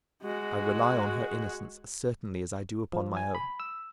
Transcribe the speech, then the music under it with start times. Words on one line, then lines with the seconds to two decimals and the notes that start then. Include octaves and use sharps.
I rely on her innocence as certainly as I do upon my own.
0.22 G#3 F#4
2.93 F3
3.17 G#5
3.35 B5
3.60 E6